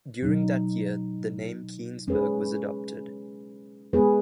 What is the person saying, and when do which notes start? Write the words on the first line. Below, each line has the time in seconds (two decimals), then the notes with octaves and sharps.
During that year, the name Keansburg was adopted.
0.22 B2 F#3 D#4
2.08 G#3 C#4 G#4 B4
3.93 G#3 B3 G#4 B4